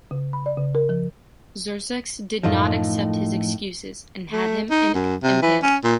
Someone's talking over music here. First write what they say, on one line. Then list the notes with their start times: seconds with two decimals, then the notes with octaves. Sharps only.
Xerxes did not accept his excuses and had him impaled.
0.11 C#3
0.33 B5
0.46 D5
0.57 C#3
0.75 A#4
0.89 F3
2.43 F#2 A2 F3 A3 D#4 F4
4.32 A3
4.71 D#4
4.95 F#2
5.23 C3
5.42 E3
5.63 C#4
5.84 A#2